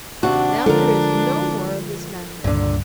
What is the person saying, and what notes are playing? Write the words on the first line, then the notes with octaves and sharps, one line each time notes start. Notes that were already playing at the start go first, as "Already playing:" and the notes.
Now there is no more of this matter.
D#2 C3 D4 F#4
D3 F3 G#3 A4 A#4
C#2 G2 A#2 D3